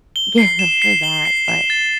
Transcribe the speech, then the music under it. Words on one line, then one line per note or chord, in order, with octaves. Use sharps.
get over that," but
G7
C7
E7
C7
G7
C7
E7
A6